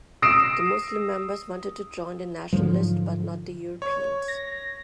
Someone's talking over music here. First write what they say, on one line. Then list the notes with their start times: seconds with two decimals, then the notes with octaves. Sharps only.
The Muslim members wanted to join the nationalists, but not the Europeans.
0.22 D#6 E6 A#6 C7 D7 E7
2.53 G#2 D3 F3 F#3
3.82 C#5
4.28 A#6